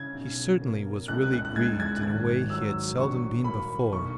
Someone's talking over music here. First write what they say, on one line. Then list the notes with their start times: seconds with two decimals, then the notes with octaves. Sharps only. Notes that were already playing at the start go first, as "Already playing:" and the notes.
He certainly was really grieved in a way he had seldom been before.
Already playing: C#3 G#6
0.15 B1
0.61 A#3
1.08 C#2 F#6
1.33 F#6
1.45 F#6
1.56 G#3 G#6
1.80 G#6
1.96 F#6
2.03 G#1 G#6
2.50 F#3 E6
2.98 A#1 C#6
3.44 A#3 B5
3.92 B1 C#6